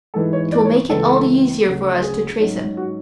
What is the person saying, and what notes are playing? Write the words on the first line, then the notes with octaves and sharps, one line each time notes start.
It will make it all the easier for us to trace him.
G#2 E3 G#3 A4
C#5
D5
C#5
C#2 C#3 E3 A4
D2 C#3 F#3 C#4
G#4
G#2 F#3 C#4
F#4